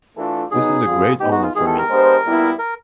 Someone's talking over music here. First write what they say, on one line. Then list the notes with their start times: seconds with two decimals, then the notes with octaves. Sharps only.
This is a great honour for me.
0.16 E3 A3 D4 F4 A4
0.51 B2 F#3 B3 D#4 G#4
0.85 D3 G3 C4 F4
1.20 G#3 B3 D#4 G4
1.32 F#4
1.43 F4
1.55 D#3 G#3 B3 E4 G4 G#4
1.67 A4
1.78 A#4
1.89 G#3 B3 D4 G4 C5
2.24 A#2 G3 B3 E4
2.59 A#4